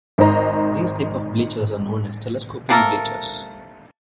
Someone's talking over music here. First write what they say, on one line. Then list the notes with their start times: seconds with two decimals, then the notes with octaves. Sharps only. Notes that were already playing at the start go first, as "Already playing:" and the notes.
These type of bleachers are known as telescoping bleachers.
0.18 G#1 D#3 G#3 C5 D#5 A#5
2.69 C3 A#3 A4 A#4